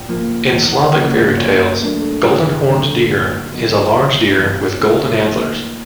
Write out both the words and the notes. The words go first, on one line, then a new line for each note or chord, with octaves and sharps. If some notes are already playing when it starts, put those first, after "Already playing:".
In Slavic fairytales, Golden-horned deer is a large deer with golden antlers.
Already playing: A#2 G5
F3 A#3
E2
F#5
C#3 F3 A#3 C#5
D5
A#2 C#5
B4
F#3 A3 D4 A#4
A4
G2 G#4
G4
D3 F#3
A4
A#2 B4
F#3 B3 D#4
E2 C5
C3 E3
A2
F3 A#3 D#4